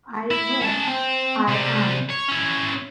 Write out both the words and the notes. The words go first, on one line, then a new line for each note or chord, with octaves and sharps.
I know I am.
E4
C#4 A5
C4
C3 G3
C#5
C#4 E4